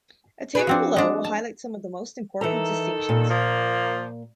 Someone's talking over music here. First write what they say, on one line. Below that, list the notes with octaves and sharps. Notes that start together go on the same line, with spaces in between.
A table below will highlight some of the most important distinctions.
F#4 G#4 B4
F3 C4 D4
G#3 D4
A5
D#3 E3 A4 A#5
A#2
F3 A#3